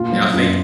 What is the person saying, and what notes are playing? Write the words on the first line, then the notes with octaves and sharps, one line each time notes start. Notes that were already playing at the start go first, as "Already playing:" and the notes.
and I think,
Already playing: A#2 F4
F#3
F#2 F4